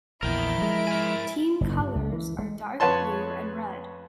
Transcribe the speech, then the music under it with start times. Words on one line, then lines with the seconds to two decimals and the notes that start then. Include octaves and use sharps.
Team colours are dark blue and red.
0.23 A#1 E2 E4 A#4 G5 D7
0.58 F3 G#3
0.87 A#4 G#5
1.61 F#1
1.79 G2
1.96 C#2
2.12 E3
2.39 G#3
2.80 F2 B4 C#5 A5 C6